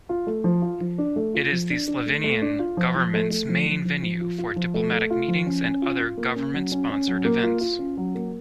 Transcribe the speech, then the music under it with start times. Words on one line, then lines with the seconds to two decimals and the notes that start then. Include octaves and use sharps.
It is the Slovenian Government's main venue for diplomatic meetings and other Government-sponsored events.
0.09 F4
0.27 A3
0.44 F3
0.62 F4
0.81 F3
0.98 D4
1.16 A3
1.34 F4
1.52 F3
1.70 D4
1.88 D4
2.06 A3
2.24 A3
2.42 D4
2.59 F4
2.77 F3
2.95 F3
3.14 A3
3.30 A3
3.49 F3
3.67 F3
3.85 F3
4.02 F3
4.20 F4
4.38 F4
4.56 F3
4.74 A3
4.92 A3
5.10 F4
5.28 F3
5.46 C#4
5.64 C#4
5.82 F4
5.99 F4
6.18 A#3
6.36 C#4
6.54 F#3
6.72 C#4
6.90 C#4
7.07 F#3
7.25 A#3
7.43 F4
7.61 F4
7.79 C#4
7.97 F#3
8.15 A#3